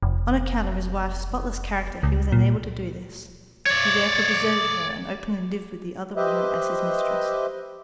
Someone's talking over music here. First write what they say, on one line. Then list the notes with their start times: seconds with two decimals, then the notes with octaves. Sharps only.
On account of his wife's spotless character he was unable to do this; he therefore deserted her and openly lived with the other woman as his mistress.
0.03 F1
2.03 C#2
2.32 A#2
3.66 C#5 D5
6.16 G4 B4 C5 D#5 E5